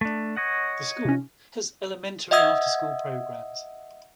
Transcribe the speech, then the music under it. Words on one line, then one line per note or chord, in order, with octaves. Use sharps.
The school has elementary after-school programs.
A3 D4
C#5 D#5 F#5
C3 C#4
D#5 E5 F#5 D#6 E6 G#6